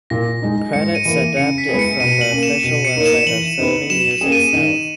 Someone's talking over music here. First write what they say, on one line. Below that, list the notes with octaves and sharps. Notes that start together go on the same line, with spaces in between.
Credits adapted from the official website of Sony Music South.
A#2 A#6
G#3 D#4
G#2 C#7
D#7
E3 A#3
D#7
C#3 C#7
B6
G#3 B3 E4 G#4
C#7
B2 D#7
F#7
A#3 C#4
E7
B2 D#7
C#7
A#3 D#4 A#4 C#5
E7
E3 F#7
B3 D#4
F#3 E7
E7
A#3 C#4 G#4
D#7
D#3 D#7